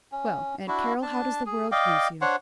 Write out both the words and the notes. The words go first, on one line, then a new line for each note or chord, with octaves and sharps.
"Well, Aunt Carroll, how does the world use you?"
C#4
D4 E4 F#4
D4 A5
G#4
D5 D#5 F5 G5
D4 C5 C#5 F#5